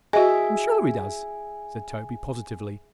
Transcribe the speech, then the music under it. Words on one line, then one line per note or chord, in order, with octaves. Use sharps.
"I'm sure he does," said Toby, positively.
F#4 G#4 D#5 E5 G#5